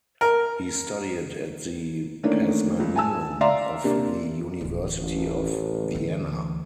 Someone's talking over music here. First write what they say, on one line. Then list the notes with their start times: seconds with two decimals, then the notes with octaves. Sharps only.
He studied at the Pazmaneum of the University of Vienna.
0.21 A#4
2.23 D#3 E3 A3 A#3 C#4 D4
2.79 C#2
2.96 G#5 A5 E6
3.41 D5 E5 F5 A#5 C6
3.84 C3 A#3 D4
4.61 D1 E3
5.00 A1
5.94 D2 E3